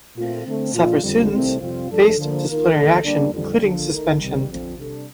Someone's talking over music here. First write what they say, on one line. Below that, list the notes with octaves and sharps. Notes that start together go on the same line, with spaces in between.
Several students faced disciplinary action, including suspension.
A#2 A3 C4 F4
D3 A3 C4
A#2 F3 A3 D4 F4
F2 D3 G3
C2 C3 D#3 A3 C4
F2 C3 G3 C4 F4
G2 F3 A3 D4 A4
D3 F3 A#3
D#3 A#3 F4 A#4
D#2 D#3 A3 D#4 A4
D3 G3 A#3 D4
F2 D3 G3
D3 F3 A#3 F4 A4
D#3 A3 D#4 A#4
C3 D#3 G3
F2 D3 F3 C4 F4
C3 G3 D4 A4